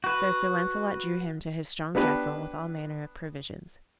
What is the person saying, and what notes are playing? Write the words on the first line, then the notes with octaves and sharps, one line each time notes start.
So Sir Launcelot drew him to his strong castle, with all manner of provisions.
F#4 B4
B3 D4 G4 B4